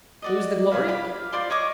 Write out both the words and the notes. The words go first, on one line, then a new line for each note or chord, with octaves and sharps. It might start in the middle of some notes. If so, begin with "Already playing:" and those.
Whose the glory?
F#4 D5 D#5
G#4 E5 F5
G4 F5 B5
F5
F4 C5 D5 C6
C#5 D#5 C#6 D6